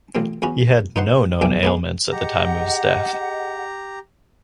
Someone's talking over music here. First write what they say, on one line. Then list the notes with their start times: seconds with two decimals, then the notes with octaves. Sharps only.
He had no known ailments at the time of his death.
0.15 A1 A#2 C4
0.42 E2 C#4 F#4 B5
0.96 D#4 B4 C5 F#5 C6
1.41 B1 D4 E4 B4 G5 G#5
1.63 G#3 A#3 B3
2.12 G4 G#4 D#5 F#5 A#5